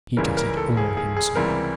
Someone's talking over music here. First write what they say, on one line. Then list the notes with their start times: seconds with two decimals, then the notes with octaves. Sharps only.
He does it all himself.
0.17 C#2 C#3 E3 G3 A#4
0.37 A#4
0.57 A4
0.77 G#4
0.97 G#4
1.17 G#4
1.36 C#2 C3 E3 G3 A#4